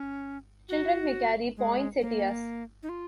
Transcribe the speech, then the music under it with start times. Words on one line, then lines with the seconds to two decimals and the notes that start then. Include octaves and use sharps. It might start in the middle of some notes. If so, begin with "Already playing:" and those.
Children may carry poinsettias.
Already playing: C#4
0.69 F#4
1.57 G#3
2.01 A#3
2.83 D#4
2.89 F4